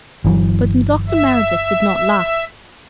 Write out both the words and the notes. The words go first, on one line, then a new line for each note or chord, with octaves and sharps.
But Dr. Meredith did not laugh.
G1 E3 F#3
E5